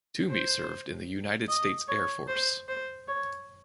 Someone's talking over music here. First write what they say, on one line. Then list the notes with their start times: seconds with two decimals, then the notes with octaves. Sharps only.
Toomey served in the United States Air Force.
0.31 C5
1.49 D#5
1.88 C#5
2.28 C5
2.68 C5
3.07 C#5